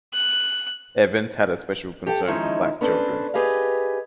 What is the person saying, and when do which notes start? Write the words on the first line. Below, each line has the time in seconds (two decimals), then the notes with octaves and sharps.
Evans had a special concern for black children.
0.14 F#6
2.06 G4 A4 F#5 G5
2.28 D#3 F3 G#3 C#4 D#4 E4
2.81 B3 C#4 D4 A4 B4 C5
3.34 G4 G#4 B4 D#5 F5